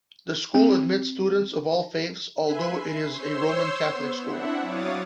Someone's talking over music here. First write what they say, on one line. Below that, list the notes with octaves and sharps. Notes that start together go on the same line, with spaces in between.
The school admits students of all faiths although it is a Roman Catholic school.
C4
B4 E5 G#5 B5 C6
C7
C5 C#5 C6 E6
B3
C4 D4 E4 E5 F#5
F#3 C#5 F5 D6 D#6 A6